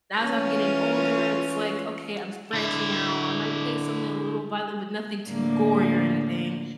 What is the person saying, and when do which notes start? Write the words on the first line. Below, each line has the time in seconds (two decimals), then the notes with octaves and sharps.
as I'm getting older, it's, like, okay, I'm s branching out, I might play something a little violent, but nothing too gory or anything,
0.22 E3 C#4 F4
2.53 D3 E4
5.28 A2 D3 A#3